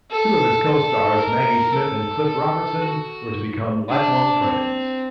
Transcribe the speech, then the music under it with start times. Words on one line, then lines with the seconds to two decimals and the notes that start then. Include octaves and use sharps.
Two of his co-stars, Maggie Smith and Cliff Robertson, were to become lifelong friends.
0.11 A4
0.65 A4
1.18 A#4
1.73 A4
2.26 A4
2.81 F#4
3.89 D4
4.42 C4